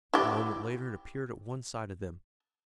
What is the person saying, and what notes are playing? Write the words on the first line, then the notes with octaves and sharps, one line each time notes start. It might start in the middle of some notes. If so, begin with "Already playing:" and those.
A moment later it appeared at one side of them.
E4 G4